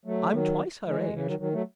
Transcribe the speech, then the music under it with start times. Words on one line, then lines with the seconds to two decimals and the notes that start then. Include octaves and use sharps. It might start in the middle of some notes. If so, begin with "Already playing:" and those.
I'm twice her age.
0.05 F#3 A3
0.32 D#3 F#3
0.86 E3 G#3
1.13 C#3 E3
1.26 D#3 F#3
1.39 D#3 F#3
1.52 F#3 A3